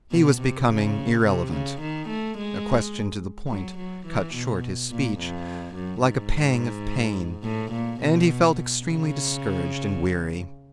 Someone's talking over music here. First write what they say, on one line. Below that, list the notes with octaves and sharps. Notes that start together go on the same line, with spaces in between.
He was becoming irrelevant; a question to the point cut short his speech, like a pang of pain, and he felt extremely discouraged and weary.
B2
C3
C#3
C3
C#3
D#3
A3
G#3
F#3
F#3
E3
B2
A#2
F2
F#2
G#2
A2
A#2
B2
C#3